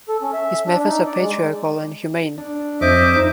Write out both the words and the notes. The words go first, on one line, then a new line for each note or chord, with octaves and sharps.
His methods are patriarchal and humane.
A4
C#4
E5
D4
D#4
D5
G#3
D4
F2 C5 D#5 E5 D6
D#4